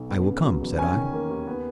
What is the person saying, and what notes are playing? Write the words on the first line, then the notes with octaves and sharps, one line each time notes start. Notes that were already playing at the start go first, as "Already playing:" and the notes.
"I will come," said I.
Already playing: B1
B3
C#3
F#3
E2
C#4 G#5
D#3
A#3
D#2
B3